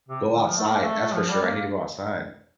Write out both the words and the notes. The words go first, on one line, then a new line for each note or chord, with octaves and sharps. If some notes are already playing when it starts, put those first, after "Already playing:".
Go outside, that's for sure, I need to go outside.
C3
D3
F3
A3
A#3
A3
A3
F3
G3
A#3